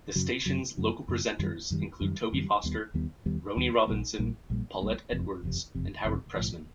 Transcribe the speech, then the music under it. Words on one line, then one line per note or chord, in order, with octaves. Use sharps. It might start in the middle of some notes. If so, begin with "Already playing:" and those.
The station's local presenters include Toby Foster, Rony Robinson, Paulette Edwards and Howard Pressman.
F#2 C#3 F#3
F#2 C#3 F#3
F#2 C#3 F#3
F#2 C#3 F#3
F#2 D#3 G3
F#2 D#3 G3
F#2 D#3 G3
F#2 D#3 G3
D#2 D#3 G3 B3
D#2 D#3 G3 B3
D#2 D#3 G3 B3
D#2 D#3 G3 B3
A#1 A#2 G3 A#3
A#1 A#2 G3 A#3
A#1 A#2 G3 A#3
A#1 A#2 G3 A#3
F#1 F2 C3
F#1 F2 C3
F#1 F2 C3
F#1 F2 C3
B1 A2 F3